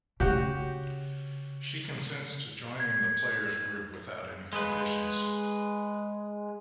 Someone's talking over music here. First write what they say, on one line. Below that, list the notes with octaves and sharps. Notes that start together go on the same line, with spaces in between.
She consents to joining the player's group without any conditions.
C#3 F#4 G4
G#6
G#3 B4